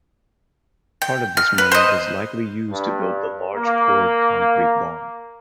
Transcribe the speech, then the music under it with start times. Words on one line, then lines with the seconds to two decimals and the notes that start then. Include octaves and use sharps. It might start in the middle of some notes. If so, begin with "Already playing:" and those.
Part of this money was likely used to build the large poured concrete barn.
1.02 G5
1.37 F6
1.58 B4
1.72 C5 D#5
2.70 G2
3.56 A#3